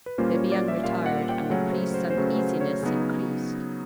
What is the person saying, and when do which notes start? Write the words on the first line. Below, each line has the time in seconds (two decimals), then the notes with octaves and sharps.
Bibiaine retired, and the priest's uneasiness increased.
0.06 B4
0.18 A#2 G3 A#3 C#4 F4 C5
0.35 C#5
0.52 D5
0.68 E5
0.84 A#2 G3 A#3 C#4 F4 F5
1.06 F#5
1.29 G5
1.50 C#3 F#3 A3 C#4 F#5
1.72 C5
1.94 C5
2.10 C5
2.16 C#3 F#3 A3 C#4 B4
2.39 C5
2.61 C#5
2.83 C#3 F#3 B3 D#4